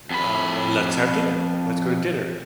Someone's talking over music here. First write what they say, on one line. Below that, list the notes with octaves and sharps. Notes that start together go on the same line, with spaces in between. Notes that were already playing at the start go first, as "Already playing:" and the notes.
"uh, let's have dinner. Let's go to dinner."
F2 B5